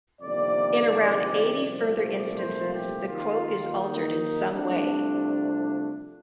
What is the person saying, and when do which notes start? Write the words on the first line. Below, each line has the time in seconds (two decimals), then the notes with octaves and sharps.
In around eighty further instances, the quote is altered in some way.
0.21 G1 F2 C3 D#3 A#3 D5
1.65 C2 A#2 F3 A3 D5
2.37 C5
2.72 G4
3.08 D#2 D#3 A#3 F4
3.80 D#4
4.51 C2 C3 F3 A3 D4